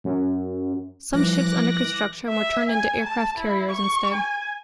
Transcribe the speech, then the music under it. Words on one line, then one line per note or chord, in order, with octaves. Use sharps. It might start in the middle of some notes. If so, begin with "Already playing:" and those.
Some ships under construction were turned into aircraft carriers instead.
F#2
E3 F3 G3 D6 F#6 A#6
E5
G#5
A5
E4
C#6
G#5